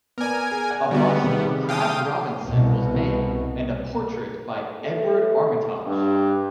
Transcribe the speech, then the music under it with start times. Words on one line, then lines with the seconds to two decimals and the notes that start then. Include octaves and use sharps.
A bust of Crabb Robinson was made, and a portrait by Edward Armitage.
0.18 B3 A#4 D5 G#5
0.52 G#4
0.70 D5 F#5 G#5
0.91 D3 G3 B3 F#4 G4
1.24 C3 D#3 G#4
1.69 F5 G5 D#6
2.45 C2 B2
4.83 A3
5.86 G2